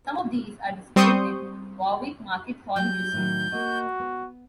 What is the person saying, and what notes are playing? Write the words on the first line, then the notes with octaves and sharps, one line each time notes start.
Some of these are displayed in Warwick Market Hall Museum.
G3 C4 C6 C#6 D#6 G6
F#3 G3 G6
A2 D#3 F#3
A#3 F#4 D#5
B3